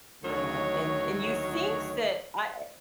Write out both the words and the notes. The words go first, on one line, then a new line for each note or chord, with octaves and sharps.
uh and and you think that I
D2 D#3 F#3 A#4 C#5